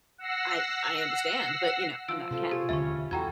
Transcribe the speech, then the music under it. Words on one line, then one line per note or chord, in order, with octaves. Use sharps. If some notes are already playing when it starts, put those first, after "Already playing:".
I I understand, but, you know, I'm not a cat.
F#5 E6 A#6 C7
F3 E6 D7
C3 F4 A4 C5
G4 G#4 C#5
E1 D#2 D3 G3 C#4 C#5 E5 C#6
E2 E4 F#4 A4 G5 A#5 G#6